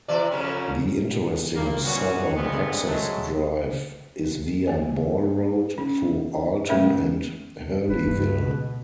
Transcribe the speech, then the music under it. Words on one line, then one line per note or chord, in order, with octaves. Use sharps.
The interesting southern access drive is via Ball Road through Alton and Hurleyville.
C3 E3 D5
F2 C#3 C#4
G2 A#3
A#2 G3 B3 C#4 F#4
E2 G2 D3 G#3 B3 C4
F#3 G#3 A3
A#3 G#5
C#4
G#3 A3 C#4 A#4 B4 E5
F1 B4
G2
B2